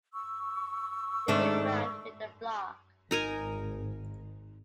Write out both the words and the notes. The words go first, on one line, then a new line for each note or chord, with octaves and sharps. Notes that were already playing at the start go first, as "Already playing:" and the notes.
They move around with the flock.
C#6 E6
G#2 D#3 A3 D4
G#1 D#4 A#4 G#5